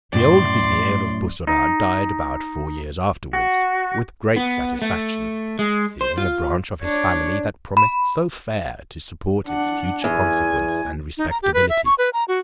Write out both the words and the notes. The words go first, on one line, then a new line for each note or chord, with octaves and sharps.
The old vizier of Bussorah died about four years afterwards with great satisfaction, seeing a. branch of his family that promised so fair to support its future consequence and respectability.
F#2 A2 D5 C6
D#4
F#4
B3
A3
G#3
C5
F4
D4 C#5 D5
B5
D4 F#5
E2 G#5
D#4
A#5
G4
B4
E5
C#6
B4
A#5
F#4